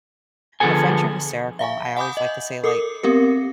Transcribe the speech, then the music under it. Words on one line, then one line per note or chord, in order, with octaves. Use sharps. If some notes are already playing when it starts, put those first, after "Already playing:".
the French are hysterical. I always like to say, like,
D3 F3 B3 G#4 A4 G#5
E5 F5 G#5 C#6
F#5 G#5 B5 D6 D#6 G6
D#5
A4 A#4 D6 D#6
B3 C4 G4 A#4